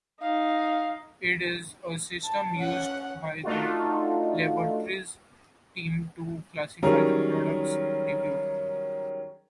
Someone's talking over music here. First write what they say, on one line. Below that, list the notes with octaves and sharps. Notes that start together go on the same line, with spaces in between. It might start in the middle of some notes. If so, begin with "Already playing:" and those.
It is a system used by the laboratory's team to classify the products reviewed.
D#4 F5
A5
C#4 F#5
A3 D4 D#4 F4 F#4
D#3 F#3 G3 C#4 G#4 A#4